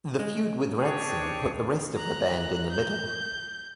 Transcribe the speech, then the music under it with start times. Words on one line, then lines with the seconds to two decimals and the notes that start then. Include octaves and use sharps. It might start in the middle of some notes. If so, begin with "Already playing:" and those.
The feud with Ransom put the rest of the band in the middle.
0.19 G#3
0.80 C4 D4 G4 G#4 C#5
1.96 A#5 F#6
2.72 G6